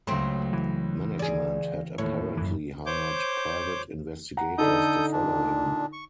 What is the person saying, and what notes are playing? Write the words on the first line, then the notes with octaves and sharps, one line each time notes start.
Management had apparently hired private investigators to follow him.
C#2 F#3 A3 C4 C6
E3
G#4 D5
D#2 A2 C#5
F#2 E3
C5 C#5 D6 G6
F#5 A#5
D3 D#4 A4 D#6 G6
A#2 D4
C#6